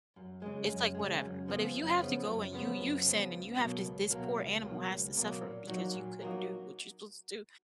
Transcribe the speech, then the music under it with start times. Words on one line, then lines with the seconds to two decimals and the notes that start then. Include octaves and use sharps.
it's like, "Whatever." But if you have to go and you you sin and you have to this poor animal has to suffer because you couldn't do what you're supposed to do,
0.16 F#2
0.42 C#3 G#3
0.68 F#2
0.95 C#3 G#3
1.22 F#2
1.48 C#3 F3 B3
1.74 F#2
2.00 C#3 F3 B3
2.27 F#2
2.53 C#3 F3 B3
2.79 F#2
3.05 C#3 F3 B3
3.31 C#2
3.58 B2 F#3 A#3
3.84 C#2
4.10 B2 F#3 A#3
4.37 C#2
4.62 B2 F#3 A#3
4.90 C#2
5.15 B2 F#3 A#3
5.42 A#2
5.67 F#3 A#3 D#4 F#4
5.94 A#2
6.21 F#3 A#3 D#4 F#4